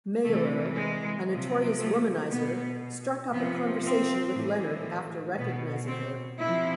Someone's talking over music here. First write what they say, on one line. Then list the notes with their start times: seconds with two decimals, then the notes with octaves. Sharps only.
Mailer, a notorious womanizer, struck up a conversation with Leonard after recognizing her.
0.24 C3 E3 A3
0.76 G#3
1.28 C3 F3
1.79 A3
2.29 B2 B3
3.32 C3 F3 B3
3.84 C4
4.35 A2 E3
5.37 B2 B3
5.88 C4
6.40 C3 F3 E4